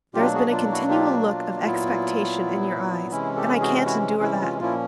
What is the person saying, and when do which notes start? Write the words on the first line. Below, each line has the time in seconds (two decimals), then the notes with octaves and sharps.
There has been a continual look of expectation in your eyes, and I can't endure that.
0.15 B2 F#3 A#3 D4 F4 G4
0.34 F#4 G#4
0.52 F4
0.72 E4 F#4
0.89 F4 G4
1.27 F4
1.63 A#2 F#3 B3 E4
3.11 C3 E3 G#3 C#4 E4
3.36 G4 A4
3.61 F#4 G#4
3.85 E4 F#4
4.22 E4
4.41 F4
4.60 A#2 F3 A#3 C#4 E4 F4